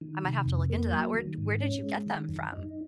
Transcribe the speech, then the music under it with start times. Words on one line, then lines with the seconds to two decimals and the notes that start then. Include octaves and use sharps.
I might have to look into that. Where di where did you get them from?
0.01 D#3
0.24 C3
0.46 F2
0.70 A#3
0.92 F#3
1.15 D#3
1.38 G#2
1.60 C#4
1.83 G#3
2.06 D#3
2.29 F#2
2.52 D#4